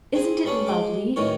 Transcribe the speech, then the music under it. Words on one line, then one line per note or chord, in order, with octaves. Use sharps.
Isn't it lovely?
C4 G#4
G3 B3 C#4 D4
G#3 D6
F#2 A2 D#3 E3 A#4 C#5